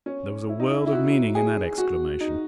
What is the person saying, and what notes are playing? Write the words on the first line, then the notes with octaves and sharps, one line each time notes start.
There was a world of meaning in that exclamation.
C#4
E4
D#4
E4
E4
F#4
G#4
F#4
D#4